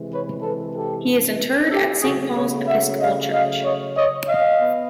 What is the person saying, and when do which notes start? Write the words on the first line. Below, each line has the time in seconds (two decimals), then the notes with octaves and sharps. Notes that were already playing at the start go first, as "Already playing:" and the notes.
He is interred at Saint Paul's Episcopal Church.
Already playing: C3 E3 G#3
0.11 B4 C#5
0.43 A4 B4
0.75 G4 A4
1.71 G4 A4
2.03 C#3 F#3 A3 F#4 G#4
2.35 B4 C#5
2.67 E5 F#5
3.00 D#5 F5
3.32 D#5 F5
3.64 C#5 D#5
3.95 C#5 D#5
4.27 D#5 F5
4.59 B3